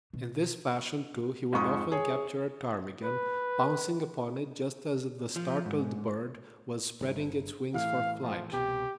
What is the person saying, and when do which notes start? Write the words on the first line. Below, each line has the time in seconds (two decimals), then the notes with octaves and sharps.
In this fashion, too, he would often capture a ptarmigan, pouncing upon it just as the startled bird was spreading its wings for flight.
0.13 B2
1.53 F2 G#2 C#6 D#6
1.92 G#4 C#5
3.03 B4
5.36 F3
5.65 G#2
7.01 G1
7.74 A2 E3 F5
8.22 F3
8.53 C2 B2 G4